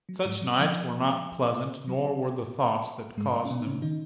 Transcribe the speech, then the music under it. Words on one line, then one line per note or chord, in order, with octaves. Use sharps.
Such nights were not pleasant, nor were the thoughts that caused them.
F#3
G#2 G#3
F#3
F3
F#3
G#2 G#3
A#2 A#3
C#4
B2 B3
D#4
C#3 C#4
D#3 D#4